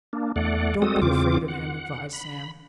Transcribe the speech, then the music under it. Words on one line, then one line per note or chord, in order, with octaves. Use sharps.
"Don't be afraid of him," advised Sam.
A#3 D4
E2 A3 D5 F#5
G3 G#3 C4 F#4 A4 D#6
E2 C#3 C4 F4 D6
F#5
B5